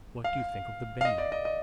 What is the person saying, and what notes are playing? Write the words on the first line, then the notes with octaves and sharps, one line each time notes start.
"What do you think of the band?"
F5
F5
D#5
D5
D#5
D#5